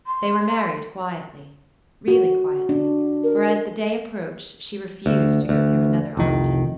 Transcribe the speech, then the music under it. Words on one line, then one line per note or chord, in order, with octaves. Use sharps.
They were married quietly--really quietly, for as the day approached she refused to go through another Oniton.
C6
F#4
D4
A#4
D2
D2
F1 C2 D#3